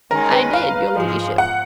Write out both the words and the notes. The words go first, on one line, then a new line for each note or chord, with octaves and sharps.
"I did, your ladyship."
D#3 G#3 C#4 A#4
B4
F5
G#2 F3 G#3
F#5